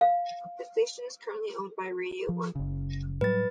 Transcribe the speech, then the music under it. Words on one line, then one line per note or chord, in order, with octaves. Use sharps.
The station is currently owned by Radio One.
F5
F3
F#1 C#3
A2 F#3 G3 B4 A6